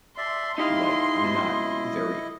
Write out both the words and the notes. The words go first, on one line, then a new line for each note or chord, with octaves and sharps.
like, I'm not very
D5 E5 C6
D#4 E4 G4 D#5 F5 C6
C#2 B2